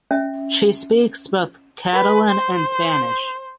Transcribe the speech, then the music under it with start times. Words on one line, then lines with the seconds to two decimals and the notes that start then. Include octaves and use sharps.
She speaks both Catalan and Spanish.
0.11 C#4 E5
1.93 B4
2.30 C5